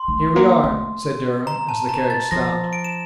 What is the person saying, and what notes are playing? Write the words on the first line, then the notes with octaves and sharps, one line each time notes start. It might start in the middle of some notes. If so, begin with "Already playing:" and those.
"Here we are," said Durham, as the carriage stopped.
Already playing: C6
A3
A#3
A3
A#5
A5
A#5
A6
F3 A#6
D7
E7